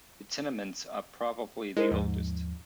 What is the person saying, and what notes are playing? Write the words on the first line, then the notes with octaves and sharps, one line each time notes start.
The tenements are probably the oldest.
G#3 E4 A#4 C5
D#2 G#2 F3